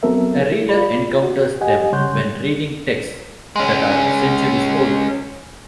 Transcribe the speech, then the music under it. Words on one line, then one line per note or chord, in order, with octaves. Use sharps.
A reader encounters them when reading texts that are centuries old.
F#3 B3 C4 A4 A#4 E5
E4
F4 D5 B5
F#4
G4 D#5 F#5 G#5
C#3 G3 C#5 C6 F#6 G6
G#3 C#4